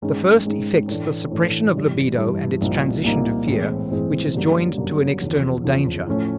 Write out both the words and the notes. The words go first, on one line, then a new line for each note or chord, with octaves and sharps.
The first effects the suppression of libido and its transition to fear, which is joined to an external danger.
G#2 D#3 G#3 C#4
G#2 D#3 G#3 C#4
A2 E3 A3 D4
A2 E3 A3 D4
G2 E3 G3
G2 E3 G3
C2 A#2 F3 A#3 D#4
C2 A#2 F3 A#3 D#4
A2 E3 G#3 C4
A2 E3 G#3 C4
F#2 D3 G3 A#3
F#2 D3 G3 A#3
E2 C#3 F3
E2 C#3 F3
A2 F3 A3 C#4